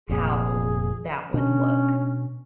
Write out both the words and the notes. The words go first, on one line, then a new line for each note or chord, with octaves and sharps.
how that would look.
F1 F2 A#2 G#4
B2 C#4 D4